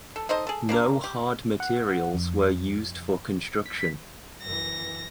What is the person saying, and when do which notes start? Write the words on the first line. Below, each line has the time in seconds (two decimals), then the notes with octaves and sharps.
No hard materials were used for construction.
0.16 A4
0.29 D#4 A4 C5 D#5
0.47 G#4 A4
0.69 A#3 D4 A#4
1.04 G4
1.60 F#5
2.14 F2
3.66 B6
4.43 F#2 E3 A#6